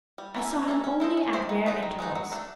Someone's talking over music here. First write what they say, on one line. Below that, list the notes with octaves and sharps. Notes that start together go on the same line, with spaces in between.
I saw him only at rare intervals.
G3
A#3 C#4 E4 A4
G3
A#3 C#4 E4 A4
C#4
E4 A4 C5 D#5
C#4
E4 A4 C5 D#5
D#3
G#3 B3 D#4
D#3
G#3 B3 D#4
F#3
A3 D4